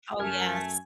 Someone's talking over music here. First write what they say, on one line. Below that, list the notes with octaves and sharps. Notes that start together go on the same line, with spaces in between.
Oh, yes.
F#2 A3 A#4 G#5 F6